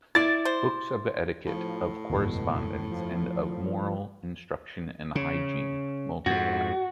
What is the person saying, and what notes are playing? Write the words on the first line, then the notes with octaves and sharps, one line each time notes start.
Books of etiquette, of correspondence and of moral instruction and hygiene multiplied.
E4 D5 A6
C5
A2 F3
F#1 E2 G#2 B2
F3
C#3
F2 G#2 F#4